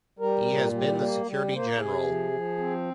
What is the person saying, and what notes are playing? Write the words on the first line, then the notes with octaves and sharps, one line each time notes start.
He has been the Secretary-General.
G3 A#4
A#2
G3
A#3
G3
A#3 C5
A#4
C3 G#4
F3
F3
C4